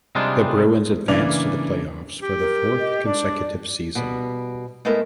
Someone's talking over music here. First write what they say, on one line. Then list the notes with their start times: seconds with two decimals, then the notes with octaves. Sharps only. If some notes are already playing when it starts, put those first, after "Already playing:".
The Bruins advanced to the playoffs for the fourth consecutive season.
0.15 C3 G3 G#3 D4 D#4 F4
1.08 C#3 E3 A#3 D4 D5 F7
2.22 G4
2.39 A#4
2.79 D#5
3.05 D4 D5
3.95 B2 G3 B3
4.85 G#3 A3 B3 E4 A4 A#4